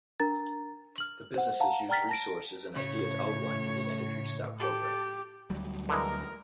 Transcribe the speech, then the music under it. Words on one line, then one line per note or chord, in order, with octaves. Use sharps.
The businesses use resources and ideas outlined in the Energy Star program.
D4 A#4 A#5 A6
F6 F#7
C5 F#5
F5 F#5 A5 A#5
D5 G5 A#5 F6 A6 B6
A5 A#6 D7
A2 C#3 C#5
G4 A4
D2 F#3 G3
D3 E3 G#3 A#4